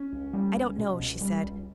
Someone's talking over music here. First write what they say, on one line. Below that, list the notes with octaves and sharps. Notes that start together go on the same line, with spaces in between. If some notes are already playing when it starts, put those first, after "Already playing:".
"I don't know," she said.
Already playing: C#4
C#2
G3
C#2
B2
C#2
G3
C#2